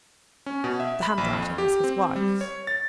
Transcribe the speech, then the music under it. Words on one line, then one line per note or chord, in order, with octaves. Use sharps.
The handwriting was his wife's.
C#4
B2
E5
B5
A#1
F2
G4
C4
G3
C#5
A6